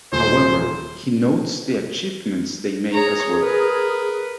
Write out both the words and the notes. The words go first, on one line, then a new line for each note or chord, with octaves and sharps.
However, he notes the achievements they made as well.
D#1 C5
G#4 C#5 A#5
A#4 B4